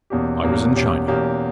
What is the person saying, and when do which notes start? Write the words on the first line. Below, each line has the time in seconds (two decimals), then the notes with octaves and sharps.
I was in China.
0.10 E2 B2 A#3 C#4 G4
0.43 E2 B2 A#3 C#4 G4
0.75 E2 B2 A#3 C#4 G4
1.07 E2 B2 A#3 C#4 G4